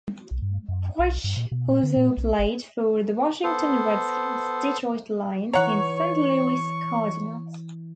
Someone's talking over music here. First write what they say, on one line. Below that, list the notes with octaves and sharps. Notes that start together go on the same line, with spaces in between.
Wyche also played for the Washington Redskins, Detroit Lions, and Saint Louis Cardinals.
B1
G2
F#2
B1
G2
A#2
B2
A#2
D3
A#2
B1
G1
B3 A4 C5
E3 E4 C#5 F#5 A#5 C#6